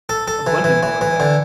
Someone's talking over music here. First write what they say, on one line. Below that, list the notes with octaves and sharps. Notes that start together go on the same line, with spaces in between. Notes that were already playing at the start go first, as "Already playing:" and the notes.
abundant over there.
A4
A4
E3
E3
E3
E3
D3